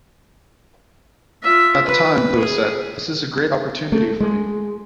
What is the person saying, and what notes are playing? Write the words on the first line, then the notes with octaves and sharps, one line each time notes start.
At the time, Lewis said: This is a great opportunity for me.
F4 E5
B4
G#4
A3
G#3